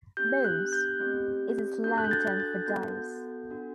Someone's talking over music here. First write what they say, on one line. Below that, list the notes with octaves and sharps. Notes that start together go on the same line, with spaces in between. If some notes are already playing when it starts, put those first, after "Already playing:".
"Bones" is a slang term for dice.
B3 D4 G4 G6
F#6
G6
A3 C4 G4
D4 F#4 A4 G6
F#6
G6
A6
A6
B3 F#4 A4 G6
D4 F#4 A4